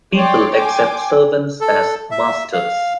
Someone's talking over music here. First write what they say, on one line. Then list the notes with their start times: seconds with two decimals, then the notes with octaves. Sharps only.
People accept servants as masters.
0.14 C#5 D5 G5 C6 D6
0.53 G5 G#5 C6 D6
1.61 A4
2.11 E5
2.53 F5